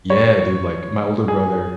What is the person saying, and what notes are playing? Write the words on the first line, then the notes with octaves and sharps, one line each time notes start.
Yeah, dude, like, my older brother
C#5
G#4